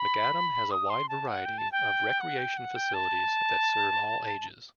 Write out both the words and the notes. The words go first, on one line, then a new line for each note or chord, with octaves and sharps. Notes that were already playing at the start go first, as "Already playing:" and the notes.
McAdam has a wide variety of recreation facilities that serve all ages.
Already playing: B5
D#6
C6
A5
F#5
G5
A5
G5
F#5
G5
F#5
G5
A5